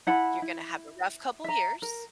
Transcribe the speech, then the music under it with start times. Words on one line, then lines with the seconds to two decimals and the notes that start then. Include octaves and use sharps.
you're gonna have a rough couple of years"
0.07 E4 F#5 A5 B5
0.42 E4
1.44 E5 A#5
1.82 A#4